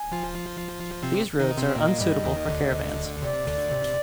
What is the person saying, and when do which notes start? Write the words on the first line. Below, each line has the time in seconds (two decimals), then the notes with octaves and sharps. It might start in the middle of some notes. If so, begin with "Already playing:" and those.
These roads are unsuitable for caravans.
Already playing: G#5
0.12 F3 F4
1.03 C3 C4
1.39 D#3 D#4
1.57 C3 C4
1.76 A#2 A#3 D#5
2.01 G2 G3
2.24 D#2 D#3
2.49 D2 D3
3.22 C3 D5
3.46 D2 D3
3.71 C3